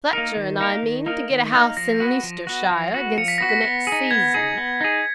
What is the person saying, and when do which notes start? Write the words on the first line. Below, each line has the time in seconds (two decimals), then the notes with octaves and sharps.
Fletcher and I mean to get a house in Leicestershire, against the next season.
0.13 A#3 D#4 A#4
0.36 D#3
0.60 A#3 D#4 A#4
0.83 D#3
1.06 A#3 D#4 A#4
1.30 D#3
1.54 A#3 D#4 A#4
1.77 F3 A#6
2.00 B3 F#4
2.23 F3
2.47 B3 F#4
2.71 F3
2.94 B3 F#4
3.18 F3 C#7
3.28 B6
3.38 B3 F#4 A#6
3.49 B6
3.64 B3
3.87 G#4
3.92 D#4
4.11 B3 G#6
4.34 D#4 G#4
4.57 B3
4.81 D#4 G#4